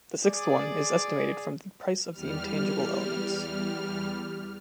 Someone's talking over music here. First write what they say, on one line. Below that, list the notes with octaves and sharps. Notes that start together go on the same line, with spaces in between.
The sixth one is estimated from the price of the intangible elements.
G#4 D5
E2 G3 F6